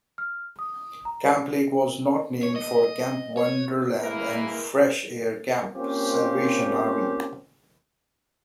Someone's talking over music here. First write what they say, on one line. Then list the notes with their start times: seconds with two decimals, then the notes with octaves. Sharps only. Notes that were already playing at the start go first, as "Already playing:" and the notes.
Camp Lake was not named for Camp Wonderland and Fresh Air Camp, Salvation Army.
0.18 F6
0.59 D#6
1.05 A#5
2.43 C#5
2.56 D#5
3.37 C#5
4.00 G#3 A#3 E4 A#4 B4
5.76 A#3 C4 C#4 F4 G4 C5